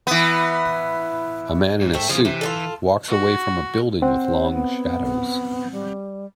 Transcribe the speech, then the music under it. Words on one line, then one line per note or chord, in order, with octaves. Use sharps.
A man in a suit walks away from a building with long shadows.
E3 B3
G#2
A3 C4 E5
F2 C#3 F3 F4 G#4
C3 E3
F4 G4 A4
F#4
C4 C5 F#5
B3
G3